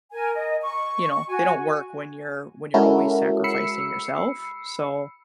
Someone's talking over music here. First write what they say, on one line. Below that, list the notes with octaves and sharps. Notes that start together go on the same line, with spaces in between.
You know, they don't work when you're when you're always sacrificing yourself, so
A#4 G#5
D#5
C#6
F#4 G#5
G#3 C#4 E4 F#4 A4 A#4
B5 E6 C7 C#7